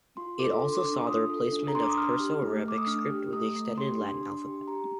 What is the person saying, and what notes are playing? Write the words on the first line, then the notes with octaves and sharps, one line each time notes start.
It also saw the replacement of the Perso-Arabic script with the extended Latin alphabet.
F4 C6
A4 D6
C6
D4
C6
D6
D4
F4 D#6
A4
D4
A#5
D4 C6
D6
D#6
D4 F6
G4
A3
A3 D6
D#6
D4 F6
G4
A3 D#6
A3
G4 C6
D4
D4
G4
G4 A#5